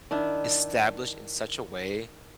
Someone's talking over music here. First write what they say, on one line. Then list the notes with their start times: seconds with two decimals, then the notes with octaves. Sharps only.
established in such a way
0.11 D#3 D4 E4